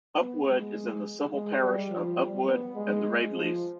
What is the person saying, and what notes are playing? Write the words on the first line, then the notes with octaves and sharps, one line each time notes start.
Upwood is in the civil parish of "Upwood and The Raveleys".
B3
G#3
G#3
G3
F3
G3
B3
G#3
F3